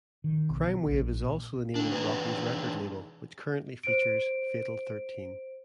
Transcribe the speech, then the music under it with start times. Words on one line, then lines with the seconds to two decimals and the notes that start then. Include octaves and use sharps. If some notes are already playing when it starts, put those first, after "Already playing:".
CrimeWave is also the name of Rocky's record label, which currently features Fatal Thirteen.
0.24 D#3
0.50 B1
0.86 A#1
1.75 A3 D4
1.92 E3 D4 D#4 G#4 B4
3.83 C5 D7